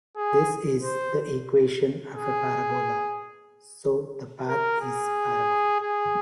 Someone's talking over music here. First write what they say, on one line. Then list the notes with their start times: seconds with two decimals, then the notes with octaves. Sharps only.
This is the equation of a parabola, so the path is parabolic.
0.16 G#4
0.83 C5
2.15 G#4
4.48 A#4
4.81 G#4
5.80 G#4